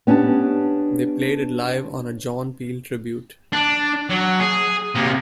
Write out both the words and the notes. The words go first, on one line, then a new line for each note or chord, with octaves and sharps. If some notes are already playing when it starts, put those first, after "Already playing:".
They played it live on a John Peel tribute.
B3 C#4 D4 G4 A5
D4
F#3
G#4
C3 A#3